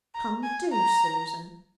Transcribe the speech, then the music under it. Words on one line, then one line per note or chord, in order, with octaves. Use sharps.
Come, do, Susan.
A#5
G#5
A#5